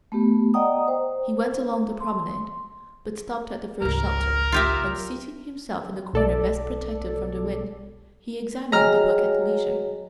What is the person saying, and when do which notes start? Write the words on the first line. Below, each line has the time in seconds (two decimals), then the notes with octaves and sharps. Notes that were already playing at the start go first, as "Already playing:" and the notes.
He went along the promenade, but stopped at the first shelter, and seating himself in the corner best protected from the wind, he examined the book at leisure.
0.12 A3 B3 G4
0.54 D5 D#5 F#5 G5 A#5 D#6
0.88 C5
2.00 C6
3.82 G#1 C#2 A#4
4.52 F4 G4 E5
6.13 B1 A4 D5
8.72 F#3 G#4 D#5 G5 G#5 A#5 F6